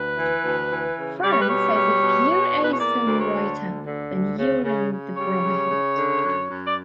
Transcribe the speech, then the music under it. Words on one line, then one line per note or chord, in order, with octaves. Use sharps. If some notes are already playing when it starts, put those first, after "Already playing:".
Franks says If you're a songwriter then you're in the Brotherhood.
Already playing: D2 B4
E3
D2
E3
C#3
G3 D5
C#5
B4
B2 C#5
G3
B2
B2
E2
B4
C#5
A#3 D5
D2
C#5
D3
D2
D3
D2
C#3
C#3
C#3
G3 C#5
C#3
C#3
D3
F#2
F#2
D5